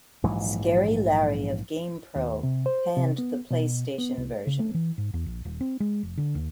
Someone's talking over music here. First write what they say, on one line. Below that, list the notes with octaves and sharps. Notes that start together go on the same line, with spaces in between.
Scary Larry of "GamePro" panned the PlayStation version.
A#1 G#2 E3 F#3
D#2
C3
C5
C3
B3
B2
B3
C2
C#3
A3
E3
G#2
E2
A#1
D#1
C4
G#3
F1
D3
D#2